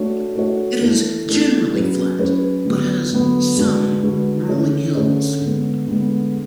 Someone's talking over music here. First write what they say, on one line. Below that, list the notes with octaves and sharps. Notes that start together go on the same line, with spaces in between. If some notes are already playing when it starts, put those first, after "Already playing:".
It is generally flat, but has some rolling hills.
Already playing: A3 D4 F#4 C#5
A3 D4 F#4 C#5
E3 A3 D4 A4
E3 A3 D4 A4
F#3 C#4 G#4 B4
F#3 C#4 G#4 B4
D3 F#3 B3
D3 F#3 B3
D3 G#3 D4 F#4 B4
D3 G#3 D4 F#4 B4
D3 A3 C#4 G#4 C#5
D3 A3 C#4 G#4 C#5
D3 G#3 B3
D3 G#3 B3